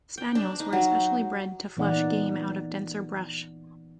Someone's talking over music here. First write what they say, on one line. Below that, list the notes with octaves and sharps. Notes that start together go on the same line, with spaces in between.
Spaniels were especially bred to flush game out of denser brush.
G5
D4
D#4
F#3
A#2 E3 B3 D#4 D5 F#5